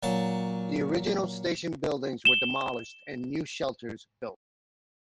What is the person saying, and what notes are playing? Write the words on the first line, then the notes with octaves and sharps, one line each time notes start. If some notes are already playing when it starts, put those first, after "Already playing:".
The original station buildings were demolished and new shelters built.
A#2 F#3 A5
E7 G7